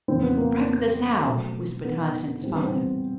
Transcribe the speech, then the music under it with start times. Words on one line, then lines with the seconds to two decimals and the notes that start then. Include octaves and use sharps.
"Drug the sow," whispered Hyacinth's father.
0.08 F2 C#3 F3 A#3 C4
0.23 B3
0.37 A#3
1.26 B2 F#3 A3
1.85 B3
2.43 A2 E3 G3 C4
2.54 B3
2.63 C4